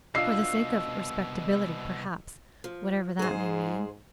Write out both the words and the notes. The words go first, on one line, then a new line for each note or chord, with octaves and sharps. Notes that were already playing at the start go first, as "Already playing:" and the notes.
For the sake of respectability, perhaps, whatever that may mean.
C2 B2 D4 F4 D#5 E6 C7
F3
G#2 G#4 C5